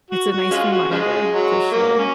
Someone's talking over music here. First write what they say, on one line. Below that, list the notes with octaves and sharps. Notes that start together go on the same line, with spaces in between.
it's a nice reminder, for sure,
F#4
F#4
G#3 C#4 F4
F#4
C#3 F3 G#3
F#3
A#3
C#4